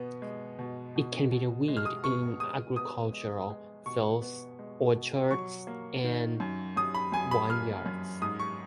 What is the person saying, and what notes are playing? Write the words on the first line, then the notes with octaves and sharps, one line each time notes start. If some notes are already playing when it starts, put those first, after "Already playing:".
It can be a weed in agricultural fields, orchards, and vineyards.
Already playing: B2 B3
G#3
B2
B2
B2
G#3
F6
D#6
B3 C#6
G#3 D#6
B3 D#6
G#3
G#3
B2 C#6
B3
G#3
B2
F#3 C#6
A#3
D#3
F#2
F#2 D#6
B5
F#2 G#5
B5
A#3 F6
F#2
G#2 D#6
C#6